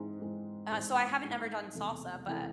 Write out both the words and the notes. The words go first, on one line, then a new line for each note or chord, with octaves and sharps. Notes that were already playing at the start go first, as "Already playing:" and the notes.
So, I haven't ever done salsa, but
Already playing: G#2 E3 G#3 C4 D#4
G#2 E3 G#3 C4 D#4
G#2 E3 G#3 C4 D#4
G#2 E3 G#3 C4 D#4
E1 E2 C3 E3 A3
E1 E2 C3 E3 A3